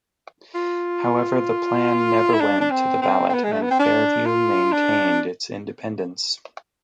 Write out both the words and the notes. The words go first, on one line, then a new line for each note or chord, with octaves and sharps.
However, the plan never went to the ballot and Fairview maintained its independence.
F4
E4
D4
D4
C4
C4
C4
B3
G#3
A3
B3
C4
D4
F4
D4